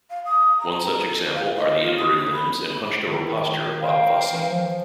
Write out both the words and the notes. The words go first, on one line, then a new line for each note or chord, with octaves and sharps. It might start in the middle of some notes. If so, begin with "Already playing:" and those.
One such example are the inverted limbs and hunched-over posture of Bob Fosse.
F5
D#6
A#5
A4
F5
D#5
F4
D#6
B5
D#3
A#4 F5 G5
E3
F3